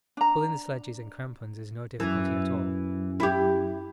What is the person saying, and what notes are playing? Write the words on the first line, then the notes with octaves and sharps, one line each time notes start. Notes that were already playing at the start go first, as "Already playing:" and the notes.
Pulling the sledges in crampons is no difficulty at all.
D4 A#5
F#2 E3
E4 G4